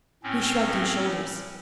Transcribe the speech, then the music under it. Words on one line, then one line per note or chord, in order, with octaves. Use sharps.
He shrugged his shoulders.
A2 C4 C#4